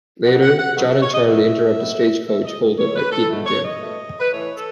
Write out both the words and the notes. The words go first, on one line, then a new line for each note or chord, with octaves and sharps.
Later, John and Charlie interrupt a stagecoach holdup by Pete and Jim.
B2 F#3 B3 F#5
F#5
F#5
B2 F#3 B3 F#5
E5
C#5
D#5
B2 F#3 B3 E5
B2 F#3 B3
B2 A3 E5
D#5
B2 A3 C#5
B4
A4
B2 A3
C#5
D#5
B2 A3
B4
A2 E3 A3 C#5
A4